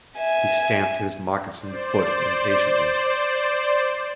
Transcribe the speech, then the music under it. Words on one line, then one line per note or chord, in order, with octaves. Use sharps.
He stamped his moccasined foot impatiently.
E5 G#5
C5 D5